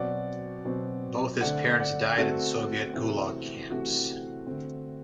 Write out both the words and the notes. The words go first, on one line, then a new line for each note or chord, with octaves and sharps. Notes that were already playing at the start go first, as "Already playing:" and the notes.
Both his parents died in Soviet Gulag camps.
Already playing: B2 F#3 C4 D5 F#5
B2 F#3 C4
D3 A3 C4 D5 F#5
D5 F#5
D3 A3 C4 F#4 A4
C3 E3 A3 C4
C3 E3 A3 C4 F#4
D3 A3 C4